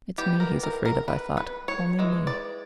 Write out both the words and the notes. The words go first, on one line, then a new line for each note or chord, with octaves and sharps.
It's me he's afraid of, I thought, only me.
E3 G3 B3 G4
A#4
A#4
A#4
B4
B4
C#5
E3 G#3
D5